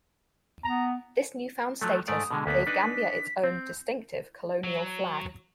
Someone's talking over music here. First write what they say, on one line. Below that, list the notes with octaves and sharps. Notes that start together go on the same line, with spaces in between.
This newfound status gave the Gambia its own "distinctive" colonial flag.
B3 A#5
F3 F#3 A3
G#2 A3 D5 D#6
B2 D3 G#3
D2 A#3 B3 B6
D4 D#4 B4
C4 G6
F#3